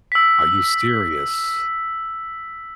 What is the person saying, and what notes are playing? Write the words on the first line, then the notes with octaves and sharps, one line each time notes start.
Are you serious?
E6 B6